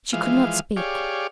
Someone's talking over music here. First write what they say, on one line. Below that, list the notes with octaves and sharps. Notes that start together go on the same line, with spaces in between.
She could not speak.
E3 F3 G#3 F5
G4 G#4 C#5 D5 F5